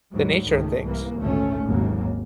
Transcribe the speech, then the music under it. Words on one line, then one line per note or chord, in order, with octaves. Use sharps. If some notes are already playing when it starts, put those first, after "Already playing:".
the nature of things.
D#2 G#2 F#3 G3
C#2 G#2 D#3 A3
C2 E3 A#3
G#1 D2 A#2 A3 C#4
G#1 D#2 C#3 F#3 A#3